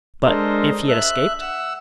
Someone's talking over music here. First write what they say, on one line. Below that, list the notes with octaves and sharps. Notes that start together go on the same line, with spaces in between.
"But if he had escaped?"
G#3 D4 A4 A#4 C5 D#5
E5 F#6
F#5 E6